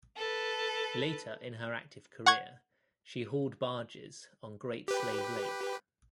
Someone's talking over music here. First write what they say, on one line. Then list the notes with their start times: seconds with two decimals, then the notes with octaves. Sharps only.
Later in her active career she hauled barges on Great Slave Lake.
0.17 A4 B4
2.26 F#5 C#6 G#6
4.88 G4 B4